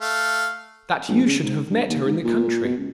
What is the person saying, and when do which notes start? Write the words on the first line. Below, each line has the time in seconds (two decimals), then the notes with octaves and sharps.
That you should have met her in the country!
0.01 A3 F5
1.08 A#1
1.27 C#3
1.43 G#2
1.70 G2
1.89 D#2
2.05 G#2
2.24 A#2
2.64 B2
2.78 C#2